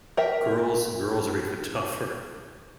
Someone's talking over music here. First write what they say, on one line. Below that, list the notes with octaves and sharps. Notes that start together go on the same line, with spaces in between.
girls girls are even tougher.
A#4 E5 G5